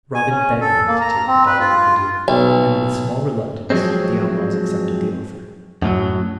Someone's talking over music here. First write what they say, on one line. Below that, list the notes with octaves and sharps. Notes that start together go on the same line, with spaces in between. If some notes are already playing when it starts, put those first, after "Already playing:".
Robin begged them to take the body of the deer, and, with small reluctance, the outlaws accepted the offer.
G#5
C#4
A4
A#3
A#5
C4
B4
F4
B1
F3 F#3 G#3 C4
F#2 A2 D3 F#3